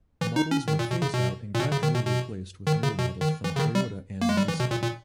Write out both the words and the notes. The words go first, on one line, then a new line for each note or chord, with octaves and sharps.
Models were phased out and gradually replaced with newer models from Toyota and Nissan.
E3
D#4
C#4
D#3
A#2
B2
C#3
B2
A#2
B2
C#3
D#3
B2
B2
D#3
C#3
B2
D#3
E3
C#3
D#3
G3
A#3
G#3
G3
E3
B2
A#2
A#2